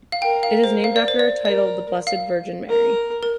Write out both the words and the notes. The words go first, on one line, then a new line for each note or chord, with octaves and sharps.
It is named after a title of the Blessed Virgin Mary.
F5
A#4 G5
F5
C5
F5
D5
C5
D5
A#4 D5
F5
A#4
A#4